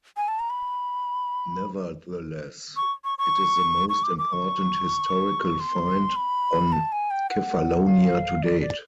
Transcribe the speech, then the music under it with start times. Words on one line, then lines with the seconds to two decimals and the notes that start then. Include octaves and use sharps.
Nevertheless, it is the most important historical find on Kefalonia to date.
0.17 G#5
0.28 A5
0.39 A#5
0.50 B5
2.77 C#6
3.04 C#6
3.19 C#6
3.89 C#6
4.03 D6
4.18 D6
4.33 C#6
5.60 C6
6.16 B5
6.72 A5
6.92 G#5
7.11 G5
7.30 F#5
7.87 F5
8.43 D5
8.61 D5